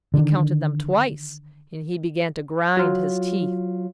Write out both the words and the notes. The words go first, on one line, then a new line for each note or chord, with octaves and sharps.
He counted them twice, and he began to grind his teeth.
D3 D#3
F#3 F4